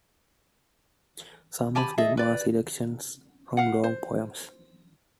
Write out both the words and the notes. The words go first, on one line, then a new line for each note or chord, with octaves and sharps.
Some of them are selections from long poems.
G4 G#5 A5 B5
G#4 A4 D#5 E5
B4 D5
F5 F#5
C5